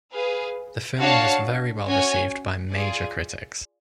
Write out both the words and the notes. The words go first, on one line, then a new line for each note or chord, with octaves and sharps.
The film was very well received by major critics.
G#4 B4 F5
D4 F#4 C#5 F5 A5
C#4 F#4 C#5 G#5
F4 G#4 D5 G#5